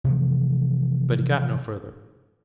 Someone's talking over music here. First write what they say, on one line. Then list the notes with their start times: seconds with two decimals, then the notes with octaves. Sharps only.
But he got no further.
0.04 C3 E3 F3 A3